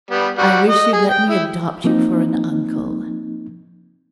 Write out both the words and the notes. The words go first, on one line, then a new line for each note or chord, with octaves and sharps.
I wish you'd let me adopt you for an uncle.
G3 B3
G3 F#4
D#5
G#4
G5
E4
F3 A#3 C4 D#4